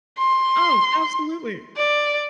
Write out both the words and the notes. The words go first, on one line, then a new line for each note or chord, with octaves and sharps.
Oh, absolutely.
C6
D5